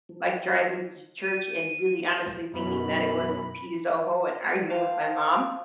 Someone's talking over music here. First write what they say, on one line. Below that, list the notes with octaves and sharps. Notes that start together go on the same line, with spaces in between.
like, driving to church and really honestly thinking that it was "the pita zoho," and arguing with my mom,
F3
D#7
F#2 B2 B5
C5 F5 G5 A5